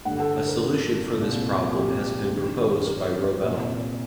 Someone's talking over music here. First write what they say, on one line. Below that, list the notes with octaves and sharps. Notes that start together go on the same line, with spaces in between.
A solution for this problem has been proposed by Roebel.
G2 D3 F#5
A4
A#4
A#4
C2 A#2
G4
G2 D#3
A#4
C2 A#2